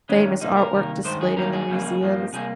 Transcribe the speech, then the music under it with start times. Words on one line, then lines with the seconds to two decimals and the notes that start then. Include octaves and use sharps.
famous artwork displayed in the museums.
0.09 G2 D#3 G#3 C#4
0.41 C3 G3 A#3 D#4
0.57 A#4
0.73 C3 D#3 G3 A#3
1.05 G2 D#3 G#3 C5
1.21 G#4
1.37 G2 D#3 G3 A#3 A#4
1.53 G#4
1.69 F2 C#3 G3 A#3
2.01 G2 F3 A#3
2.33 C3 G3 A#3 G#4